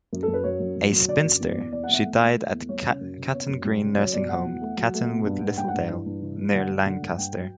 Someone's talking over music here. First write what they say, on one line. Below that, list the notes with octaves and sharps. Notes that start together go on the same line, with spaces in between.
A spinster, she died at Caton Green Nursing Home, Caton-with-Littledale, near Lancaster.
F#2
A4
F#2
B4
F#3 C#5
F#2
F#3
F#3
D3 D5
F#2
E2
E2
E2 D5
F#5
E2 E5 F#5
A3
A3
A3
E2
G3 C#5
C#3
F#2
C#3
B3 C#5
F#2
G3
C#3
F#3 C#5
B2 D5
F#3 F#5
E2
A3
F#3
A3
B2
G2
G2
G2 G5
F#5
G2
E3
G2
E3
G2
D3 F#5
F#3
D3
G2
G2 G5
F#3